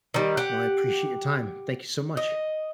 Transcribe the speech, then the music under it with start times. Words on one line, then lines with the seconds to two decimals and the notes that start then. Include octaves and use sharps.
Well, I appreciate your time. Thank you so much.
0.14 D#3 G3
0.37 G4 F#5
2.17 D#5